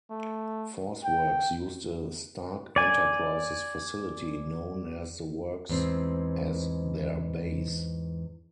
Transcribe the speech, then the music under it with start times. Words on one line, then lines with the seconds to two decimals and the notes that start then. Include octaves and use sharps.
Force Works used a Stark Enterprises facility known as The Works as their base.
0.11 A3
1.05 G5
2.76 D5 G#5
5.69 E2 G#2 C4